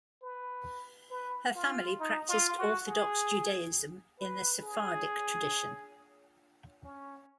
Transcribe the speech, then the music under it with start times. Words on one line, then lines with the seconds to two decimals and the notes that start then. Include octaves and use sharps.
Her family practiced Orthodox Judaism in the Sephardic tradition.
0.23 B4
1.11 B4
1.55 F4
2.00 D#4
2.29 F4
2.58 F#4
2.87 G#4
4.20 B4
4.64 G#4
6.84 C#4